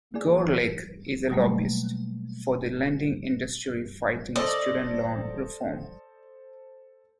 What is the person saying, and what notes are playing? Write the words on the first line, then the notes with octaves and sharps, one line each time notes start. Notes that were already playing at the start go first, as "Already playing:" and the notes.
Gorelick is a lobbyist for the lending industry fighting student loan reform.
A#3 E4 G#4 D5 G#5
B2 F#3 G3 A3 A#3
A4 C5 D5 D#5 E6